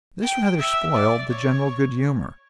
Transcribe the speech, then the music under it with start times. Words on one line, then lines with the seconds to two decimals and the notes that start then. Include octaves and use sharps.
This rather spoiled the general good humor.
0.24 G5
0.59 E5
0.95 D5
1.30 C#5